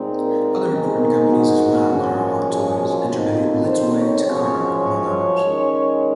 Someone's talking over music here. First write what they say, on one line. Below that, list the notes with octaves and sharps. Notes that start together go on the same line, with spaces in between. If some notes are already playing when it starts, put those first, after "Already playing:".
Other important companies as well are Hot Toys, Enterbay, Blitzway, Takara among others.
Already playing: A#2 G#3 C4 D#4
A#4
G#2 D#3 G#3 D#4
F#4
A#2 F3 G#3 C#4
G#4
F#4
F2 D#3 F#3 C4 D#4 F4
F4
C5
C#5
F#2 F3 G#3 C#4 C#5
D#3 G#3 C#4